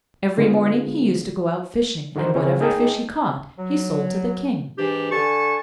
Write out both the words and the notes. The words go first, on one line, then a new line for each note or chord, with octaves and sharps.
Every morning he used to go out fishing, and whatever fish he caught he sold to the King.
D3 G#3 B3 F4
D3 D#3 F#4 A#4 C5
C#3 C4 C#4
D#4 G#4 A#4 D#5 G5 A5
F#3
G#2 E3 D4 G4
D3 G#5 A5 C#6